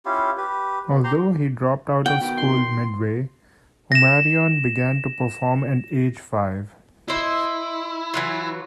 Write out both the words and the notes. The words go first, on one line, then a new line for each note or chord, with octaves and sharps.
Although he dropped out of school midway, Omarion began to perform at age five.
C#4 E4 F4 G4
G4 B4
B3
G4 C5 A#5 C6
F#5 G5
B2 D#3
C6
A#6 E7
E4 C5 D#5
E3 F#3 F4